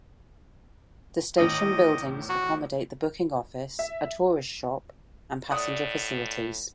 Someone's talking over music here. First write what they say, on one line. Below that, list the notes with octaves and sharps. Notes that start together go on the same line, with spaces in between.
The station buildings accommodate the booking office, a tourist shop and passenger facilities.
E2 A2 D#3 D#5
F#4
E5
A2 D5 F#5 D#6